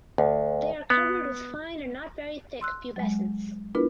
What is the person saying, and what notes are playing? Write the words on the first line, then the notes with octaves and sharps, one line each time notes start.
They are covered with fine and not very thick pubescence.
D2
B3
C6 E6 F#6
F#3 G#3
B3 D4 E4 F4 A#4 B4